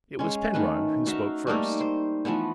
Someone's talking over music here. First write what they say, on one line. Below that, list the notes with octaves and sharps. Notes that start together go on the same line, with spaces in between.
It was Penrod who spoke first.
G#3 C#4
D#3 A3 B4
D#4 F#4 E5 F5
G3 A3 A#3 D#4
C5
E3 F3 A3 B3